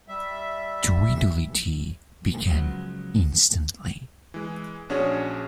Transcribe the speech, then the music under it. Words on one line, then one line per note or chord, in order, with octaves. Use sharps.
Tweedledee began instantly.
G3 E5
C#3 F3 F#3 G#3 B3
E3 G#3
A#1 C#4 D4 F#4 G#4 C#5